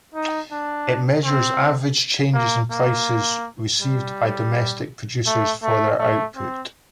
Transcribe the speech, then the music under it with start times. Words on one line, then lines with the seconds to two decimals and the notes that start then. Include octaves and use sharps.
It measures average changes in prices received by domestic producers for their output.
0.14 D#4
0.52 D4
1.24 C4
2.34 A#3
2.71 A#3
3.80 G3
5.26 A3
5.62 A3
5.99 A3
6.36 C4